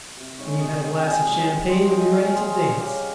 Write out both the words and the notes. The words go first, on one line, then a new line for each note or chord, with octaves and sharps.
When you've had a glass of champagne, you'll be ready to dance.
C3
D#3 G#3 C#5 F5
C3 D#5 G5
D#3 G#3
F3 F5 G#5
G#3 C#4 D#5 G5
F3 D#5 G5
G#3 C#4 C5 D#5
C#3 D#5 G5
G3 C#4 F5 G#5
C#3 G#4 C5
G3 C#4
C#3 G4 A#4